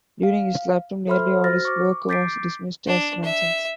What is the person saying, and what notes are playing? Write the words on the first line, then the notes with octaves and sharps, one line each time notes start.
During his lifetime nearly all his work was dismissed as nonsense.
F5
A4 C5 E5 B5 C6 F6
F#4 C5 F6 A6 A#6
C#6 D6
D6 G6 A6 B6 C7 D7
D4
E5